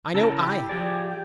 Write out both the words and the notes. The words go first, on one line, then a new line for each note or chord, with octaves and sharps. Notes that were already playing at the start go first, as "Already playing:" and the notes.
I know I have.
C#3 E4 A4 A#4
G4
F3 G4 G#4 D5
G5